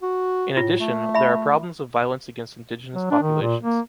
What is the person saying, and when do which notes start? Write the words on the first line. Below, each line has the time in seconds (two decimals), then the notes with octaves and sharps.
In addition, there are problems of violence against indigenous populations.
0.02 F#4
0.57 A2 F4
0.80 A3
1.14 E5 B5
2.94 F#3
3.11 D4
3.22 D#3
3.42 A#2
3.63 A#3